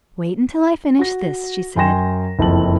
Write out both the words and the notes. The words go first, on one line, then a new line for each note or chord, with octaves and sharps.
"Wait until I finish this," she said.
F#4 A#6
F#2 G5 G#5 C6 A#6 E7
F#1 F2 E3 A5 F#7